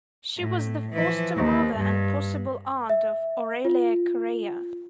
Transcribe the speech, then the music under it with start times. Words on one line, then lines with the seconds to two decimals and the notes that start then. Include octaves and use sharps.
She was the foster mother and possible aunt of Aurelia Correia.
0.38 A2
0.93 E3 F3
1.36 D#2
1.77 G2
2.90 E5
3.65 F4